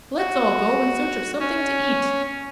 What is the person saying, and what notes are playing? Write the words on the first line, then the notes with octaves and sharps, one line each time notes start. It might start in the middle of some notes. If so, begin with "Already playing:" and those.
"Let's all go in search of something to eat!"
F#4
C#4